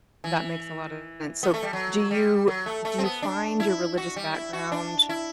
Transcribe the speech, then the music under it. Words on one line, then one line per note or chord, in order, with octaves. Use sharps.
that makes a lot of sense. So, do you do you find your religious background,
E3
B3
A3
G3
F#3
G3
F#3
A3
A3
C4
B3
D4
E4
F#4
G3
E4
F#4
D4
E4